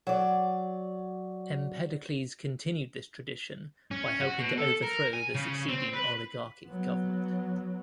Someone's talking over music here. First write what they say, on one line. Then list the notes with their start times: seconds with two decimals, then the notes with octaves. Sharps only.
Empedocles continued this tradition by helping to overthrow the succeeding oligarchic government.
0.07 F#3 D5
3.91 C#4
4.20 F#4
4.39 B2
4.58 A4
4.82 A#4
5.13 G#5
5.34 C#3
5.68 C4
5.93 B4
6.67 F#3 B3